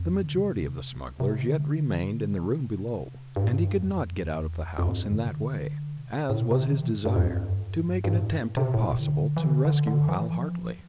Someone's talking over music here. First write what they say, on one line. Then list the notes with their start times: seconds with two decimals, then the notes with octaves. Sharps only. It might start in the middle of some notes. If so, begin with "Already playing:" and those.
The majority of the smugglers yet remained in the room below, and he could not get out of the house in that way, as was his desire, to make an attempt if possible to rescue Hal Hartly.
Already playing: F2
0.23 D3
0.34 C3
1.20 C3
1.42 D3
1.99 C3
2.06 D3
2.28 C3
3.36 G2
3.44 A2
3.50 G2
3.80 F2
4.24 E2
4.67 F2
4.78 F2
4.89 G2
5.10 D3
5.21 C3
5.32 D3
5.97 B2
6.30 A2
6.41 B2
6.51 C3
6.62 D3
6.73 E3
6.84 B2
6.94 G2
7.06 G2
7.16 F2
7.27 G2
7.63 F2
7.70 G2
8.04 G2
8.14 A2
8.57 C3
8.65 B2
8.74 A2
8.82 B2
9.00 D3
9.37 E3
9.43 D3
9.65 D3
9.87 D3
10.09 E3
10.30 F3